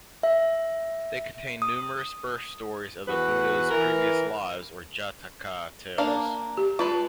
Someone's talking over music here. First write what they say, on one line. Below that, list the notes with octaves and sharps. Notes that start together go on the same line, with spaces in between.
They contain numerous birth stories of the Buddha's previous lives, or Jataka tales.
E5
D#6
E2 F#4 B4
E3 A#4
A#3 D4 F5
G4
G#3 F4 B4 A5